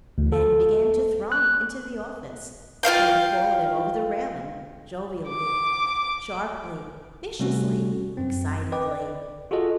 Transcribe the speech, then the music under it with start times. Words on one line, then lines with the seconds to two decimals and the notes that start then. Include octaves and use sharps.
Men began to throng into the office and call at him over the railing, jovially, sharply, viciously, excitedly.
0.18 D2
0.32 A4
1.32 F#6
2.83 F4 C5 F5 G5
5.30 D6
7.40 C3 G3 A3 C#4 F#4
8.17 F#2 C4
8.72 B4 D#5 G5 D6
8.91 D5
9.51 F4 F#4 G#4 A4 D#5